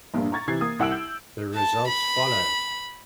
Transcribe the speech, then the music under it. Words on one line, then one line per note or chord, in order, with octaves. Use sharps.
The results follow.
A#1 G2 A#2 A#3
A#5 C#6 G#6 A6
C3 E3 G#6 C7
A#3 D#6
C2 F#5 E6 D7 F#7
G6
A5
B5